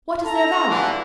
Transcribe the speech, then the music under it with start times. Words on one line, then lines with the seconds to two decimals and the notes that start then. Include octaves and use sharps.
"What is their value?"
0.25 A4 A#5
0.69 G2 D3 E3